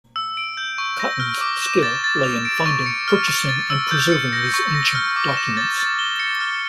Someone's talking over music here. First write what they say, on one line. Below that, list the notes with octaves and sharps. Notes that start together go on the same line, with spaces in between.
Cotton's skill lay in finding, purchasing and preserving these ancient documents.
E6
D7
G6
C#6
A#6
F6
D6
E7
A6
A6
F7
D7
C#6
C#7
F6
C#6
A6
E6
G6
C#7
A#6
C#6
A#6
F6
D6
E7
A6
A6
G7
C#7
F6